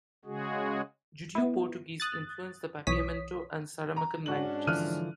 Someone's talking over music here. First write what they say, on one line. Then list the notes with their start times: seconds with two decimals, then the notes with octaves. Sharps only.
Judeo-Portuguese influenced the Papiamento and Saramaccan languages.
0.25 C#3 G#3 F#4 G#4
1.35 B3 E4
2.00 D#6 F#6 A6
2.87 B1 E3 C#5 D#6 B6
3.96 A#5
4.26 G#2 C#4 D4 F#4 F#7
4.67 D3 E3 F3 F6 F#6 D#7